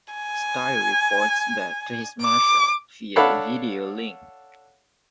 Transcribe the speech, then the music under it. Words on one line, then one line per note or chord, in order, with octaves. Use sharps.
Styre reports back to his Marshal via a video link.
G#5
D6
D4 A4 C#5 F5 F#5 B5